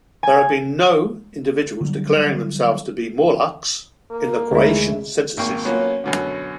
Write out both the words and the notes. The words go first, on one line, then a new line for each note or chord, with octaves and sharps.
There have been no individuals declaring themselves to be Morlachs in the Croatian censuses.
G#5
D3 F#3 G3
A#3
D2 G#3 E4
G#1 A#3 G5 C#6
F#3 A#3 B3 C#4 F4
F#2 B2 D3